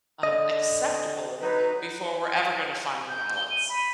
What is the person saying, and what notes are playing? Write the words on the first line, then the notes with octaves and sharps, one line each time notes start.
um, acceptable before we're ever gonna find a balance;
D3 D#5
F#3 D#4 B4
G6
G7
D#7
B5